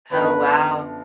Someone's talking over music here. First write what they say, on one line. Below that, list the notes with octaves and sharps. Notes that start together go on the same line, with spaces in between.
Oh, wow.
F#2 D3 F3 B3 D4 B4